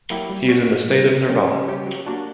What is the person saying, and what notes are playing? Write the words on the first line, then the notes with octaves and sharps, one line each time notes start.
He is in the state of Nirvana.
F#3 A#3 E4 G4
G3
C#4 F#4
A#2
G3 B3
C#3
F#3 A#3 C#4 G4
C#3
G3 C#4 G4
F#3
A#3 D4 F#4